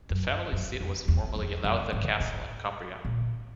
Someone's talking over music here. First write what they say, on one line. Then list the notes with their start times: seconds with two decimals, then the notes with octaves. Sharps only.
The family seat was formerly Lowther Castle in Cumbria.
0.10 F#2
0.52 F#2
0.80 F2
1.08 E2
1.36 F2
1.64 F#2
1.92 G#2
2.20 A2
3.05 A#2